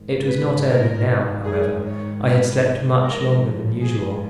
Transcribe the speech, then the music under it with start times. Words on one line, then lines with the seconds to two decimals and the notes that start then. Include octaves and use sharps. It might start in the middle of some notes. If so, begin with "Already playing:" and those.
It was not early now, however; I had slept much longer than usual.
Already playing: G#2 D#3
0.26 B4
0.67 A#4
1.45 G#4
1.85 C#5
2.24 B4
3.03 G#2 F3 A#4
3.82 G#4